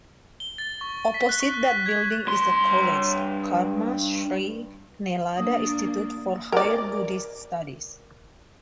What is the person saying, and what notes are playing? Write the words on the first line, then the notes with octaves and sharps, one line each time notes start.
Opposite that building is a college, Karma Shri Nalanda Institute for Higher Buddhist Studies.
G7
A6
C#6
B6
F#6
C#6
F#6
B6
G#6
G2 C6
A#3 D4 D#6
A#4 D5